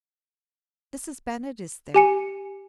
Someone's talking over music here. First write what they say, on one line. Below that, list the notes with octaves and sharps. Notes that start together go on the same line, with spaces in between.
Mrs. Bennett is there.
G4 G#5 C#7